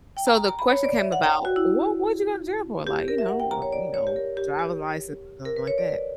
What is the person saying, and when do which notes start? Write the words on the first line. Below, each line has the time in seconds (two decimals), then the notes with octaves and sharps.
So, the question came about, "What what did you go to jail for?" Like, "You know, uh, you know, driver's license, something like that?"
0.17 G5
0.27 A#5
0.37 A#5
0.48 A#5
0.59 B5
0.70 C#5
0.84 D5
0.99 E5
1.12 F#5
1.23 G5
1.45 F#4
1.56 E4
2.87 G4
3.08 A#4
3.18 E5
3.29 F#5
3.40 G5
3.51 A#5
3.62 C#5
3.72 D5
3.94 C#5
4.07 G4
4.16 A#4
4.37 G4
4.59 G4
5.45 A#4
5.56 B4
5.67 C#5
5.78 D5
5.89 B4